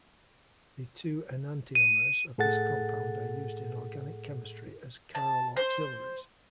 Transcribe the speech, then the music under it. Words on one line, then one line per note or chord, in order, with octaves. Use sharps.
The two enantiomers of this compound are used in organic chemistry as chiral auxiliaries.
D#7
A2 G#4 A4 F#5 A6
A5
C5